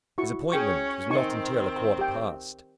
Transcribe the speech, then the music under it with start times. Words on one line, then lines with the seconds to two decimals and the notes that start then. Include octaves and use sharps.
His appointment was not until a quarter past.
0.18 E4 F#4 C#6
0.52 C#4 G#4 C#5 G5 C#6
1.10 D#3 C4 D#4 G#5 C#6
1.99 G4 G5